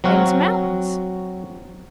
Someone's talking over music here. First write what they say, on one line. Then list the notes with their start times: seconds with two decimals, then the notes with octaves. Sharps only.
"Them's mountains."
0.04 F#3 C4 F#4 F5